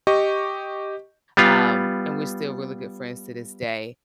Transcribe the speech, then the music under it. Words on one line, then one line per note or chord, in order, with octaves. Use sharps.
um and we're still really good friends to this day
G4 D#5 C#6
G3 B3 F4